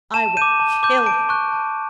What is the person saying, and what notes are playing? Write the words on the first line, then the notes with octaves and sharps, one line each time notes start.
I will kill him!'
A5 E7
D6 G6 D#7
A5
D6 G6
A5 D7
C#6 F#6
A5